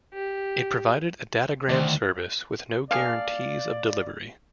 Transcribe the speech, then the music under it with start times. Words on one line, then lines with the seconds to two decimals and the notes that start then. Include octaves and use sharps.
It provided a datagram service with no guarantees of delivery.
0.14 G4
1.69 D2 D#3 C5 D5
2.91 A#3 D4 G#4 D5 F5